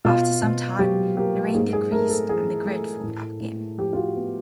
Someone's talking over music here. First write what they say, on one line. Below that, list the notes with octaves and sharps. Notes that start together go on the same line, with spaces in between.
After some time the rain decreased and the grid formed up again.
B2 F4
B2
F#3 G4
A#3 G4
G#2 G#4
G#4
A3 A#4
A4
E3 G#4
A3
A2
A2
F3 G4
F4
F#4
B3